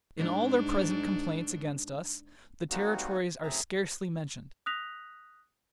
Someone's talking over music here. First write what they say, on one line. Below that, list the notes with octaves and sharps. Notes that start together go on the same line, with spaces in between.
In all their present complaints against us, the Territories are scarcely mentioned.
G#2 D4
G3 G#3 A#3 C4 D#4 F#4
F#2 A2 C4 G#4 E5 A#5
D#6 F6 F#6 A#6 B6 F7